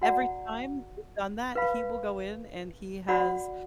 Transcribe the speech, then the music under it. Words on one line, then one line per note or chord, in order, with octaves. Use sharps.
Every time we've done that, he will go in and he has
F#4 D5 F#5 A#5
B4 F5 B5
F#4 D5 F#5 B5